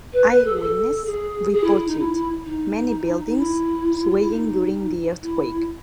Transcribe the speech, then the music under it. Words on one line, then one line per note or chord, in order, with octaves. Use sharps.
Eyewitness reported many buildings swaying during the earthquake.
B4
B4
A4
G#4
A4
G#4
G#4
E4
E4
D#4
E4
E4
D#4
D#4
E4
F4
E4
D#4
E4